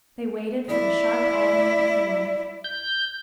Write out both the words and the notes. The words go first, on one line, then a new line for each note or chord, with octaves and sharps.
They waited for the sharp agony of the knife.
E4 D5
G6